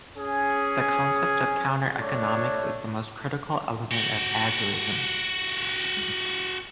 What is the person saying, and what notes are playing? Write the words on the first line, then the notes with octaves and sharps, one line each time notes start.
The concept of counter-economics is the most critical element of agorism.
C#4 G#4
A3 D4 C#5
F#4 G4